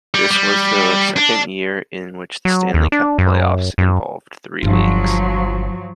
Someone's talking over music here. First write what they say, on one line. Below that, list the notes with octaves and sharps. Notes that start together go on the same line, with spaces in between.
This was the second year in which the Stanley Cup playoffs involved three leagues.
G3
G3
D4
F#3
D#2
D4
F#2
F#2
G1 F3 F#3